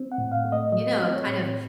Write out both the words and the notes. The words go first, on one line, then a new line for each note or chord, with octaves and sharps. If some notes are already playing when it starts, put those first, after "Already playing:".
you know, kind of,
Already playing: C4
F#5
A2
F5
A3
D#5
F#3 D#5
C4
C#5
A2